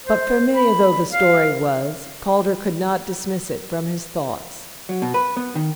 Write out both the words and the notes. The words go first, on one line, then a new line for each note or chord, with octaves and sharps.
But, familiar though the story was, Calder could not dismiss it from his thoughts.
C5
B5
F5
F#3
B2
B4
B3
D#3